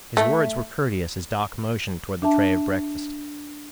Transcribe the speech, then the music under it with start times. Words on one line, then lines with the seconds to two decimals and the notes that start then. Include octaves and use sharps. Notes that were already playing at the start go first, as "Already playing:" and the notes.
His words were courteous as Doc motioned toward the tray of breakfast.
0.17 A3
2.22 D4 E5 A5